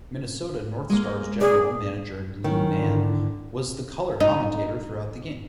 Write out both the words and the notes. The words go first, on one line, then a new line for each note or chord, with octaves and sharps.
Minnesota North Stars general manager Lou Nanne was the color commentator throughout the game.
G#3 A#3
G#4 D5
D#3 F#3 C#4 E4
G#1 D3
D#4